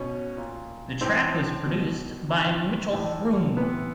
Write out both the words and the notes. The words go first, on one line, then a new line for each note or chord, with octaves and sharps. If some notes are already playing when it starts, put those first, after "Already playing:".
The track was produced by Mitchell Froom.
Already playing: B2 C#4
A#2
A2 E3 C4
B2
C3 D#3
A2 E3
C3 E3 B3